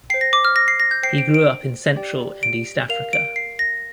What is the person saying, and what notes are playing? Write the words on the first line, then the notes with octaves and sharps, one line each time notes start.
He grew up in Central and East Africa.
C5 G5 C7
A#6
D6
F6
A#6
C7
A#6
G6
C5 G5 C7
D7
D7
G4 D5 G5
D7
A#4 F5 F7
D7
C7
A#6